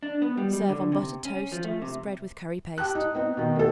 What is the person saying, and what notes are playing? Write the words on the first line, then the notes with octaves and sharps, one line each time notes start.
Serve on buttered toast, spread with curry paste.
D4
B3
G3
G3
D3
C3
C#4
F3
A3
C3
G4 A5 F#6
D#4
B3 C4 D#4
B2 D#3
A3 A4